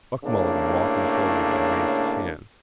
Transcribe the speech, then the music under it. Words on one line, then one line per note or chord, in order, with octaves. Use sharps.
Buck Mulligan, walking forward again, raised his hands.
A2 C#3 A#3 D4